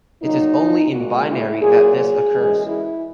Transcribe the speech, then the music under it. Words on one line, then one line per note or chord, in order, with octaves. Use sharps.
It is only in binary that this occurs.
A#2 F#3 D#4
A#2 G#3 F#4
E4
A#2 F#3 G#4
G#4
F#2 E3 G#3
E4